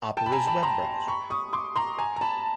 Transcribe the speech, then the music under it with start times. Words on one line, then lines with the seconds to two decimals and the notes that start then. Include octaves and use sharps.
Opera's web browser.
0.17 G5 A5
0.26 B5
0.32 G#5 A#5
0.47 A5 B5
0.63 A#5 C6
1.07 B5 C#6
1.30 C#6 D#6
1.53 C6 D6
1.76 A#5 C6
1.98 G#5 A#5
2.16 A#5
2.21 A5 B5